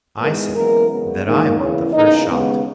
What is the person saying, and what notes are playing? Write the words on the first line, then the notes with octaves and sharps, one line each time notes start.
"I say that I want the first shot."
G#2 E3 G#3 A#3 B3 A#4
F#2 E3 G#3 A#3 B3 A#4
F#2 C#3 G#3 B3
G#2 D#3 A#3
E2 C#3 E3 A#3 C#4 C#5
E2 C#3 E3 A#3 D#4 D#5
D#2 C#3 G#3 B3